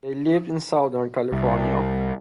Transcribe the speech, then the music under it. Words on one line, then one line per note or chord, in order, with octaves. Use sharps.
They lived in southern California.
C2